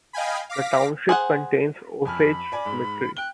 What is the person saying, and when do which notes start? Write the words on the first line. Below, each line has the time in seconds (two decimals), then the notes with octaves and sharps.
The township contains Osage Cemetery.
0.13 D#5 F5 G5 G#5 B5
0.50 F5 D6 A#6 B6
1.09 G#4 C5 F#5
2.05 F2 G#5 B5 F6
2.52 D5 G#5
2.65 G#2
3.17 G5 F#6 G7